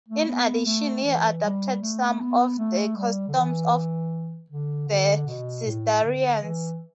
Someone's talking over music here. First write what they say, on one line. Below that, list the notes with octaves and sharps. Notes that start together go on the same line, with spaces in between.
In addition he adapted some of the customs of the Cistercians.
A3
B3
B3
A3
E3
G3
A3
B3
A3
G3
D3
E3
D3
D3
B2
A2
D3
E3